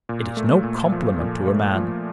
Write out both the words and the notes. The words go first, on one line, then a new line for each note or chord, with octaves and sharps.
It is no compliment to a man.
A#2
A3
A#2
F3
A#2
A3
F3